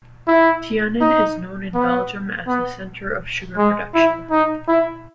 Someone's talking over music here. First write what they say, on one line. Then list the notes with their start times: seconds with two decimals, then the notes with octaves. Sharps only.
Tienen is known in Belgium as the center of sugar production.
0.28 E4
1.01 D#4
1.75 B3
2.48 B3
3.58 G#3
3.95 E4
4.31 D#4
4.68 E4